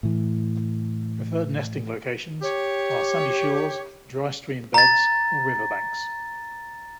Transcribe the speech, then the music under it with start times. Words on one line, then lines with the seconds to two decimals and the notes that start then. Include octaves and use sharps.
Preferred nesting locations are sandy shores, dry stream beds, or riverbanks.
0.03 A2 E3
2.42 G4 C#5
4.74 A#5 A6